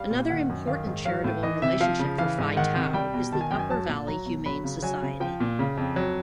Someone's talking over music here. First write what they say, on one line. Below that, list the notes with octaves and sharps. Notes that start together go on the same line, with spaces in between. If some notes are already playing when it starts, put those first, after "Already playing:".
Another important charitable relationship for Phi Tau is the Upper Valley Humane Society.
Already playing: G3 F5
A#2
D#3 F#5
F#2
D#3 F5
G#2
F#3 F5
A2
E3 D#5
C3 E5
F3 F5
C#3
E3 F5
G#2
D#3 F#5
C3
G3 G5
B2
D#3 A5
G#5
F#2 G5
G#5
F#3 A5
A#2
F#3 A#5
B2
F#3 B5
C#3
F#3 G#5
C#3
F3 G5
A#2
C#3
F2
F#3